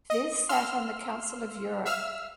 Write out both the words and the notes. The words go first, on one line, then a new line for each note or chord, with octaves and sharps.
Vis sat on the Council of Europe.
D#5
F5 C6 E6 F6
E5 F5 E6 F6